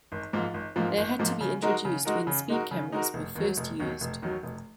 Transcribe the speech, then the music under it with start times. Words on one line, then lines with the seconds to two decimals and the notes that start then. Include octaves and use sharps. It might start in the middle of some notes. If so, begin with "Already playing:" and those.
They had to be introduced when speed cameras were first used.
0.12 G#1
0.33 G#2 F3 A#3 F4
0.54 G#1
0.76 G#2 F3 A#3 F4
0.98 G#1
1.19 G#2 F3 A#3 F4
1.41 C#3
1.62 G#3 D#4 F#4 A#4
1.85 C#3
2.05 G#3 D#4 F#4 A#4
2.27 C#3
2.49 G#3 D#4 F#4 A#4
2.71 C#3
2.92 G#3 D#4 F#4 A#4
3.14 F1
3.35 D#2 D#3 F#3
3.57 F1
3.80 D#2 D#3 F#3
4.01 F1
4.22 D#2 D#3 F#3
4.43 F1